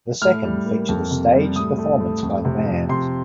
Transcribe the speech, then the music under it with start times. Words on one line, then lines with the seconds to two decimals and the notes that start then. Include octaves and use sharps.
The second featured a staged performance by the band.
0.22 A2 F6
0.44 G3
0.66 A#3
0.88 F2
1.11 C3
1.33 G3
1.56 A2 D#6
1.78 A3
2.00 A2
2.23 F2
2.45 C3
2.67 F3
2.89 C3 C6